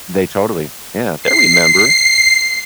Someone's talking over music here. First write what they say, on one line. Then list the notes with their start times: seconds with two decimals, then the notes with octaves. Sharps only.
They totally Yeah, they remember.
1.22 C7